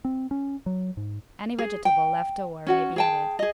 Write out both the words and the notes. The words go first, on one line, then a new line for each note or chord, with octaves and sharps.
Any vegetable left over may be added.
C4
C#4
F#3
G#2
G#4
G5
C#4 F#4 F#5
G#4 G5 A5
G#4 D#5